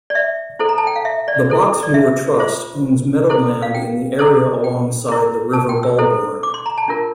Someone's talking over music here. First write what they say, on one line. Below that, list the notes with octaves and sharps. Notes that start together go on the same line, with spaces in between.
The Box Moor Trust owns meadow land in the area alongside the River Bulbourne.
D5
E5
E4 A4 C5
A#5
A5
G5
F5
E5
D5
E4 A4 C5
D5
E5
F4 C5
E4 A4 C5
F5
G5
E4 A4 C5
G5
E4 A#4
A5
G5
E6
E4 A4 C5
D6
C6
A#5
A5
D4 F4 A#4